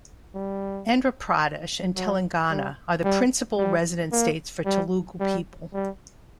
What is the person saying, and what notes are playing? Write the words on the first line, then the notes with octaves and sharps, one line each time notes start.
Andhra Pradesh and Telangana are the principle resident states for Telugu people.
G3
F#3
G3
G3
G3
A#3
G3
G3
G3